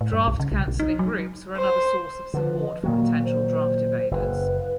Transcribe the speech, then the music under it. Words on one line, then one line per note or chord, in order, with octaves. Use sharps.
Draft counseling groups were another source of support for potential draft evaders.
A2
G2
B1
C#3
B1
B1
D#4
F#3
C5
D3 F3 B4
D#5
A#2 D#3 F#3 A#3
C5
F#1 B4